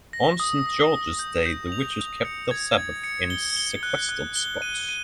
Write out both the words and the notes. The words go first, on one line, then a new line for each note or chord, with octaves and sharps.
On St. George's Day the witches keep their sabbath in sequestered spots.
A#6
D#6
D#6
D#6
G6
G6
F7
F7
C#7
G#6
G#6
C#7
G7
G7
F#6
F#6
G7
D#7
D#7